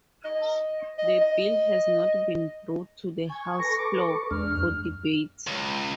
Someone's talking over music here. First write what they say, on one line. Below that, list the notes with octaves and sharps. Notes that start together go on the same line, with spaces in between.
The bill has not been brought to the House floor for debate.
D#5
D#5
D#5
G#5 C#6
A4 B4 C#6 A#6
D6
E2 G#3 D4 F6
F#2
C#2